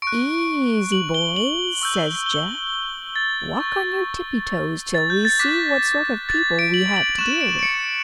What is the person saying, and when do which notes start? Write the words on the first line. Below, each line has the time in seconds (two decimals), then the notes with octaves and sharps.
"Easy, boys!" says Jack; "walk on your tippy toes till we see what sort of people we have to deal with."
0.02 C#6 F#6 D7
0.92 F#7
1.14 G7
1.36 F#7
1.82 C#6 E6 G6
2.26 G7
3.16 A6
3.60 C#6 G6
4.94 A6
5.10 G6
5.25 A6
5.39 D6 F#6 B6
6.29 A6
6.59 D7
6.74 F#7
6.96 F#7
7.18 C#6 F#6 E7
7.41 D7
7.59 D7
7.63 C#7